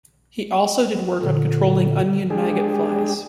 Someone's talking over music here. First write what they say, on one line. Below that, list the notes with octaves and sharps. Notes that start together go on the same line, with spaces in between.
He also did work on controlling Onion maggot flies.
A#2 D3
G#3 D4 G4 G#4